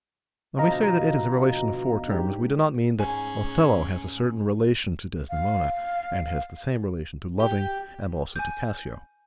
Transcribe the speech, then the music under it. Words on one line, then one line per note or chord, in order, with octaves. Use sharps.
When we say that it is a relation of four terms, we do not mean that Othello has a certain relation to Desdemona, and has the same relation to loving and also to Cassio.
B2 D3 F3 D4 D#5 F5 A#5
G#2 D4 G4
G#2 C#4 G#4 G#5
F5
G4
G#5 G6